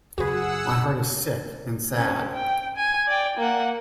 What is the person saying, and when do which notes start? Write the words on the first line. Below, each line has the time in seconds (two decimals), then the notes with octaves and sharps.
My heart is sick and sad.
0.18 F#2 C#3 F#4 G#4 B4 F#5 E6
1.95 C4 C#4
2.34 G5
2.76 G#5
3.07 D5 G5
3.37 A#3 F#5